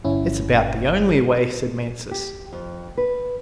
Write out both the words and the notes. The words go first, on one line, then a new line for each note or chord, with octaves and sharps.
"It's about the only way," said Mansus.
G1 C#4 E4
G4
F2
B4